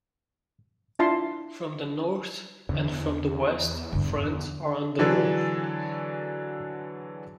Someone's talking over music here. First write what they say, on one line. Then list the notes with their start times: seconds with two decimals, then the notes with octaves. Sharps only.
From the north and from the west, friends are on the move.
0.99 D4 E4 F4 E5 A5 C6
2.69 E2 D3
3.93 G2 D3
4.14 D3
4.99 D3 E3 F#3 D4 G#4 A4